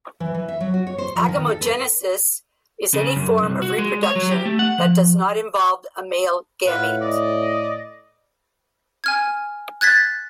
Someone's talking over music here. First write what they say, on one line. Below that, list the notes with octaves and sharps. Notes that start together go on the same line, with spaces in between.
Agamogenesis is any form of reproduction that does not involve a male gamete.
E3
E3
E5
F#3
F#4
C#5
C5
F3
D#3
A4
B4
C#3
F#2
C2
F#4
G#3
C#5
F#3
G4
A3
F#5
F3
A2 F4 B4 F#5
D5 D#5
G#5 F6 G#6
F#6 G#6 A6 B6